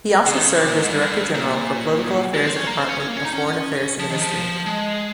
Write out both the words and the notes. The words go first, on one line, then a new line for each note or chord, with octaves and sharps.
He also served as director general for political affairs department of Foreign Affairs ministry.
C#3
D#3
C#3
C3
A#2
G#2
G2
A#2
G#3
C4
C#4
A#3
C4
C#4
C#4
A#3
C#4
D#4
C#4
F3
D#3
F3
G#3